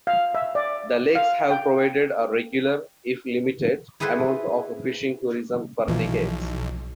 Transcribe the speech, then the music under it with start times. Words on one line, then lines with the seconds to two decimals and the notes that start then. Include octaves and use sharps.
The lakes have provided a regular, if limited, amount of fishing tourism for decades.
0.07 F5
0.35 E5
0.55 D5
1.15 F5
1.50 G5
4.00 E4 G#4 A4 B4 C5
5.88 B1 A#2 E3 F3